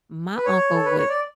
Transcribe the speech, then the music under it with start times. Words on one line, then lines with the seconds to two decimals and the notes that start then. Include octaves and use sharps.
my uncle would
0.37 B4
0.46 C#5
0.74 A4
0.85 B4
0.97 C#5
1.09 D5